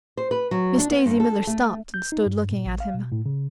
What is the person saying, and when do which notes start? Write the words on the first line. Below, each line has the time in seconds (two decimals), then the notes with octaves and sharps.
Miss Daisy Miller stopped and stood looking at him.
0.17 C5
0.31 B4
0.51 F#3
0.78 D4
0.91 B3
1.06 G2
1.20 A4
1.47 A3
1.94 G6
2.12 D#4
2.26 G2
2.51 A#2
2.66 A1
2.80 F5
2.94 B2
3.12 A2
3.26 C#3